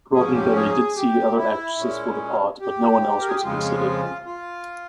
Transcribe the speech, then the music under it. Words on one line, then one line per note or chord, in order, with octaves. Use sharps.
Roddenberry did see other actresses for the part, but no one else was considered.
G#2 F3 A#3 C#4 G#4
G4
G#4
G4
E4
A#2 G#3 C#4
G4
A#4
G#4
G4
F2 C#3 F3 G#3 F4
F4